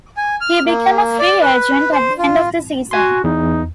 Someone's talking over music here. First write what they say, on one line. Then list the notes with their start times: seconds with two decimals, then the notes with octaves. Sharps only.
He became a free agent at the end of the season.
0.17 G#5
0.41 F6
0.66 A#3
1.19 D5
1.41 B4
1.91 C5
2.18 F4
2.91 F#4 G#5 C6
3.24 E2 D#4